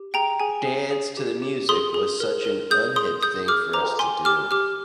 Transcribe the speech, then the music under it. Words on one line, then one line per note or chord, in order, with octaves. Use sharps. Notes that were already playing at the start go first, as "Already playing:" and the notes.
'Dance to the Music' was such an unhip thing for us to do.
Already playing: G4
G#4 G5 A#5
G#4 G#5
G#4
G#4
G4
G4
G#4 C6 D#6
G#4
A#4
A#4
G#4 D#6 G6
G#4 C6 D#6
G#4 D#6 G6
G#4 D6 F6
C5 A#5 D6
G5 G#5 C6
G4 D6 F6
G4 D6 F6